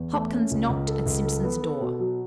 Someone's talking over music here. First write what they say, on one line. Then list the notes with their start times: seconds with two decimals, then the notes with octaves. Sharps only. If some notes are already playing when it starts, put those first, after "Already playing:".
Hopkins knocked at Simpson's door.
Already playing: E2
0.13 A3
0.31 C#4
0.51 C#2
0.69 C#2
0.87 A4
1.06 C#2
1.25 A4
1.44 B3
1.62 A4
1.81 B2
2.00 F#3